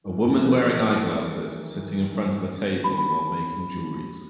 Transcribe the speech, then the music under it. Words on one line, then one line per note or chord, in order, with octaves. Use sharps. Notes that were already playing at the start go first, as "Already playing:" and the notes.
A woman wearing eyeglasses, sitting in front of the table while making jewelries.
D#3 E3
F3 G#4 A#4
B5